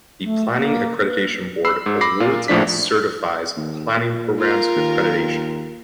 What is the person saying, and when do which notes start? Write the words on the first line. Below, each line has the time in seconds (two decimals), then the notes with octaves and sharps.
The Planning Accreditation Board awards and certifies planning programs accreditation.
0.23 A3
0.53 A#3
1.06 B4
1.65 B5 E6 C7
1.86 G#2
2.01 B5 D6 A#6 C7
2.20 A#2 F4
2.48 A#1 A2 F3 D4 B6
3.56 D#2
3.97 A#2
4.38 F4 A#4 F5
4.76 D#2